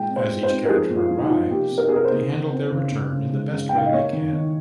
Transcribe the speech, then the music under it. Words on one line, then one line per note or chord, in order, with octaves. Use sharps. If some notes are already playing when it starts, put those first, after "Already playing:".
As each character arrives, they handle their return in the best way they can.
Already playing: A#2 G#3 G5
C4
C5
G#3
C5
C4
A#4
F3 G#4
A#2
F4
F3
D#4
F4
F3
A#3 G4
C3
A#4
C3 G#4
A#4
C5
A#3
C#3
C4
C#3
C#3
C#3
G#3
C#3
G5
C#3 F5
D#5
A#3 C#5
D#3
D#3